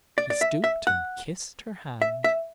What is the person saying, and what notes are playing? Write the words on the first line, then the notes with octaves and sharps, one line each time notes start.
He stooped and kissed her hand.
D5
D5
E5
E5
F#5
E5
E5